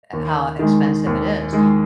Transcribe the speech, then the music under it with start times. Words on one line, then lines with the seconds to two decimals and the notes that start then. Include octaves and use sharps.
how expensive it is.
0.13 D#2
0.59 D#3 G#3
1.06 D#2
1.53 D#3 G#3